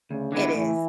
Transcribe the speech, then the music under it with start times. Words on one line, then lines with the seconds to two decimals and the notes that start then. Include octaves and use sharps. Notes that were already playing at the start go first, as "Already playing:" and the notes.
It is.
0.10 D2 C#3
0.32 D3 G#3 B3 E4
0.55 A2 E3